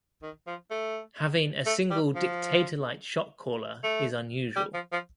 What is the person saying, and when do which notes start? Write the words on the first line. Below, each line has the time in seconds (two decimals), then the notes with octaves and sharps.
Having a single dictator-like shot caller is unusual.
0.23 D#3
0.47 F3
0.71 A3
1.66 A3
1.90 G3
2.15 F3
3.83 A3
4.56 G3
4.74 F3
4.92 F3